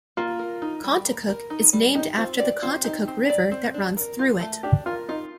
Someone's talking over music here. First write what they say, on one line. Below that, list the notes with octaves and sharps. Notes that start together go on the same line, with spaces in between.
Contoocook is named after the Contoocook River that runs through it.
A#3 F4
A#4
D#4
G3
A#3
A#4
D#4
G3
D#4 G4
C4 F4
G4 D5
C4 F4
D#4 G4
C4
D5
C4
D4
A#4
F4
A3
D4 G4
F4 A#4
D#4 F4